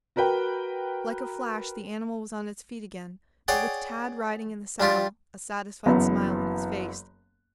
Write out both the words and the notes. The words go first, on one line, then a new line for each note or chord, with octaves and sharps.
Like a flash the animal was on its feet again, but with Tad riding in the saddle, a satisfied smile on his face.
F#4 A#4 B4 G5
G#4 C#5 D5 F#5 G5
G3 D4 F4 G4
F#1 F#2 E3 B3